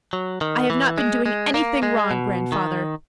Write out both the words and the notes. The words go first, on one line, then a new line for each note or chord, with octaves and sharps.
"I have not been doing anything wrong, Grandfather."
F#3
D#3
E3
G#3
G#3
A#3
G#3
B2
D#3